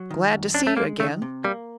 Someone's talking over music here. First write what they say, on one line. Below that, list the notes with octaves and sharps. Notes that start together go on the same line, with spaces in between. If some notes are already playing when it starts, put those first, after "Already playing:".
"Glad to see you again."
Already playing: F#3
D#3
F#2
C#4 D4
A3
G#3 A#3
D#3 A3
C3
G3 A#3